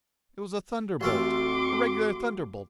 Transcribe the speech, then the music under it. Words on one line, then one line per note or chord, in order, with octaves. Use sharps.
It was a thunderbolt, a regular thunderbolt!
A1 F2 A3 F4 F#4 C6 D6